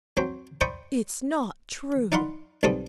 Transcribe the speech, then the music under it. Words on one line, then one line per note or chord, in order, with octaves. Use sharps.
"It's not true!"
F#3 C4 C5
C5 D5 G5 B5 C#6 D#6
D#4 D5 F5 F#5 B5 C6
B1 G3 B3 C4 A4 D#6